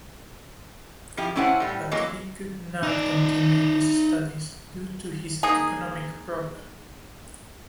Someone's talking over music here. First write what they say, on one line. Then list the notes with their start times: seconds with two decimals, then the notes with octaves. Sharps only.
But he could not continue his studies due to his economic problem.
1.17 F3 E4 G4
1.36 A3 C#4 E4 C5 F#5
1.60 A2 G3
1.91 E3 F#3 G#3 A#3
2.83 D#4 D5
5.43 A#3 D#4 G#4